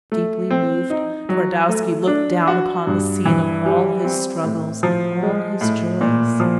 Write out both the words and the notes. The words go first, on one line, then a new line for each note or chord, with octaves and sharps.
Deeply moved, Twardowski looked down upon the scene of all his struggles and all his joys.
A3
C4
D#4
F#3
A3
D4
F#4
G2
E3
G3
C4
A2
F3
G#3
A2
A#2
F3